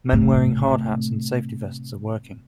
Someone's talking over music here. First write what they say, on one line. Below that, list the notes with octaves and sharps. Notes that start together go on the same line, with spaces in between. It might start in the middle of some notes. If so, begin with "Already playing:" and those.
Men wearing hard hats and safety vests are working.
A2 C3